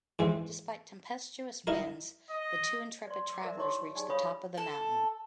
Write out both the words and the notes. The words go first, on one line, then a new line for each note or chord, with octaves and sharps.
Despite tempestuous winds, the two intrepid travelers reach the top of the mountain.
G#2 E3 C4
D#4 E4 A#4
D#5
D5 C6
D6 E6
A#4 D5 E5
D#4 E4 G4 C#5 C6 D6
D#4 G4 G#4 D5 G#5
C#5 F5 B5 C#6 D#6
A4 A5